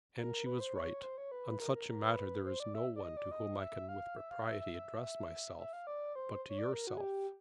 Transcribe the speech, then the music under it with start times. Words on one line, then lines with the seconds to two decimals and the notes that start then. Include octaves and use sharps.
And she was right. On such a matter there is no one to whom I can with propriety address myself, but to yourself.
0.18 A#4
0.46 B4
0.60 C5
0.75 C#5
1.03 C5
1.18 C#5
1.32 B4
1.60 A#4
1.75 A#4
1.89 A#4
2.03 B4
2.46 C5
2.60 D5
2.74 E5
2.96 D5
3.03 D#5
3.17 D5
3.31 D#5
3.60 E5
3.89 F5
4.17 E5
4.31 F5
4.45 E5
4.60 E5
4.73 E5
5.59 E5
5.73 F5
5.87 D5
6.15 C5
6.50 C#5
6.59 D5
6.73 A#4
6.87 F#4
6.97 G#4
7.01 G4